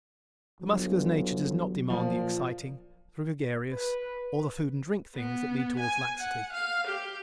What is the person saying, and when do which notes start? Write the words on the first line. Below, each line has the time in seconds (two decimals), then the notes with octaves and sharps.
The Muscular's nature does not demand the exciting, the gregarious or the food-and-drink things that lead toward laxity.
0.61 G1 F#3
1.90 A#2 F3
3.70 B4
5.16 B3
5.79 G#5
6.18 F#5
6.52 F5
6.87 G4